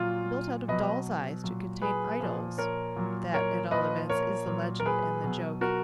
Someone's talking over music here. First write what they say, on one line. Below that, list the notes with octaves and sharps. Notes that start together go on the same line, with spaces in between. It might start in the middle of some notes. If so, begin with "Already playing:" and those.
"Built out of doll's eyes to contain idols"--that, at all events, is the legend and the joke.
Already playing: A#2 F#3 F4
B2 F#3 B4 D#5
A#2 F#3
G#4 B4
A#2 F3
A#4 C#5
A#2 F#3
A#4 C#5
A#2 F3 B4 D#5
A#4 C#5
A#2 F#3
A#4
G#4 B4
B2 F#3
F#4 A#4